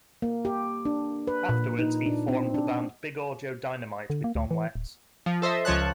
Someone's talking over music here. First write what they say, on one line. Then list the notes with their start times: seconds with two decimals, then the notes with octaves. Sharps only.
Afterwards, he formed the band Big Audio Dynamite with Don Letts.
0.22 A#3
0.45 G4
0.86 D4
1.27 B4
1.49 A#2
1.79 D#4
2.06 D4
2.28 C4
2.54 D4
4.10 D3
4.24 A#3
4.35 D2
4.51 E3
4.75 D1
5.26 F3
5.42 A4 C5 D#5 E5
5.65 C#2 F3 C#5 A5 F#6